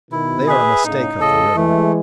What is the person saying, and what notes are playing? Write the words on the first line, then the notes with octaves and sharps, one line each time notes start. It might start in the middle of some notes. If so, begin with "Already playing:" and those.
They are a mistake up the river.
B2 D#3 E4
G#4 B4 E5
A2 C#3 D#4
A2 C#3 A4 D#5
E3 G#3 A3